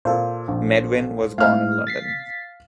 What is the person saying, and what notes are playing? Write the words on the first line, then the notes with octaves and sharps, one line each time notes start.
Medwin was born in London.
A#2 A4 C5
A#1
A2 E4 F5 F6
A6 B6 C7